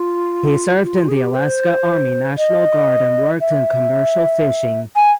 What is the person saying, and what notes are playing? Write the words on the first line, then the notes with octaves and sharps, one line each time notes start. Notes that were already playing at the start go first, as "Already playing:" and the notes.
He served in the Alaska Army National Guard and worked in commercial fishing.
Already playing: F4
F4
G#4
G4
C5
D#5
E5
G#5